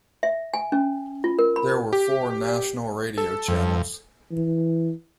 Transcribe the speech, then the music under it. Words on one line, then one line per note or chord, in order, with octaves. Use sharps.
There were four national radio channels.
E5
G#5
C#4
F4
A#4
B5
G4
A4
F2
E3